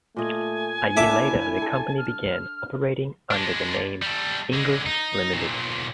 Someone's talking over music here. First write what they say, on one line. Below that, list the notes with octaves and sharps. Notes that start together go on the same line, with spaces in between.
A year later the company began operating under the name, Inglis Limited.
A#2 A3 D#5 G#5
A#3 D4 E4 A4 E5 D6
A4
F6
G#3 D4
G3 A4
D3 G#3
D#4
B1 A#2